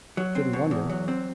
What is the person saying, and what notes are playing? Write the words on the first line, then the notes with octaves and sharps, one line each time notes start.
"Shouldn't wonder."
F#3
C4
B2
E2
F#3
C4